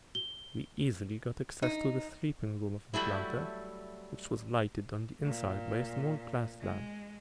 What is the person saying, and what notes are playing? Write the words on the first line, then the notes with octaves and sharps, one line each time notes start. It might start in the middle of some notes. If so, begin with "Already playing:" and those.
We easily got access to the sleeping-room of the planter, which was lighted on the inside by a small glass lamp.
G7
D#4
F#3 G3 A3 E4
A#2
G#3